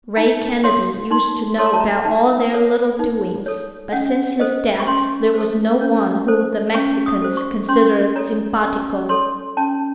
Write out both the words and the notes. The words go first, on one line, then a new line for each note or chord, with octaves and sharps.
Ray Kennedy used to know about all their little doings, but since his death there was no one whom the Mexicans considered SIMPATICO.
D#4 A#5
A4 C#5 C6
D#4 C6
A4 C#5 C6
A#5
A5
A#5
D#4 A5
A4 C#5
D#4
A4 C#5
C#4 F#5
A4 C5 D#5
C#6
C#4 C6
A4 C5
C#4
A4 C5
C#4 C#6
D#6
A4 C5
C#6
C#4 C6
A4 C#5 A#5
C#4 C#6
A4 C#5 C6
C#4 A5